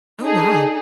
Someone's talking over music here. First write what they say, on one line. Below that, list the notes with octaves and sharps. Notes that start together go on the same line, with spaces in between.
Oh, wow.
D4 D#4 G#4 A4